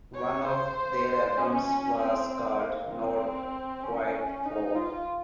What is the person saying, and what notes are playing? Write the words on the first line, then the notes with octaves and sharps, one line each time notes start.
One of their albums was called "Not Quite Folk".
C#5
C5
C#4
C4
A#3
C4
C#4
D#4
F4